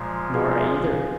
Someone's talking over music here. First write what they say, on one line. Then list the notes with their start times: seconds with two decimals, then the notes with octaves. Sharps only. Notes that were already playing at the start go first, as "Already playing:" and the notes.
"Nor I either."
Already playing: A#2 F3 G#3
0.34 F4 G#4